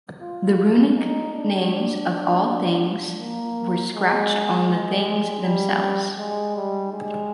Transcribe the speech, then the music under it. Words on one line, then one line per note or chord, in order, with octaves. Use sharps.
The runic names of all things were scratched on the things themselves.
F4
D#4
D4
A#3
G#3
G#3
G3
G#3
G3
G#3